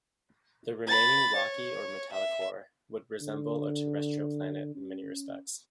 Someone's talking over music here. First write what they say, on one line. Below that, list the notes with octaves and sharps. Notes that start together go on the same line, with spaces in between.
The remaining rocky or metallic core would resemble a terrestrial planet in many respects.
B5 A6
C#5
E5
D3
C#4